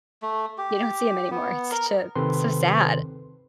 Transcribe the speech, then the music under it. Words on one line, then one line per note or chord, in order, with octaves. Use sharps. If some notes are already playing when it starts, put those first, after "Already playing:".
You don't see 'em anymore. It's ju so sad.
A3
G4
B3
A#4
C3 D#3 C4 A4 B4 C6